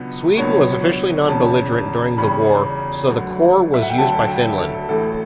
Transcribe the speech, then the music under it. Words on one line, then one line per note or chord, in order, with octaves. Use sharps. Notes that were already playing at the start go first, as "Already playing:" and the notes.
Sweden was officially non-belligerent during the war, so the Corps was used by Finland.
Already playing: C#2 B2 F#3 B3 D4
C#2 B2 F#3 B3 D4 C#5
E2 C#3 G3 C#4 A5
E2 C#3 G3 C#4 B5
D2 D3 F#3
E5
F#5
G5
D2 D3 F#3 A5
G5
A4
A1 A2 E3 A3 A4